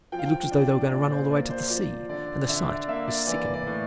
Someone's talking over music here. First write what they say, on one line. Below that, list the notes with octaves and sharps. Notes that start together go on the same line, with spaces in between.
It looked as though they were going to run all the way to the sea, and the sight was sickening.
F3 G5
F5
G5
D4
A#2 D5
C5
A#3 D5
C5
F3 D5
D3 D5
D3 E5
D5
A#3 E5
D5
E3 D5
D5
A2